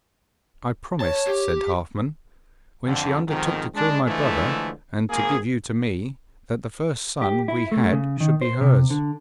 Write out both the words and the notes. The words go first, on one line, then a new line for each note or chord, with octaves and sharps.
'I promised,' said Halfman, 'when she undertook to kill my brother and to give you to me, that the first son we had should be hers.'
C#5 A5
G4
F2 D3
F2 G#2 D#3
G#3 D4
D3 E3 F3 G#3 A3
G#1 A#3 G#4
G4
E4
A3
C#3
D#3
C5
C3
D3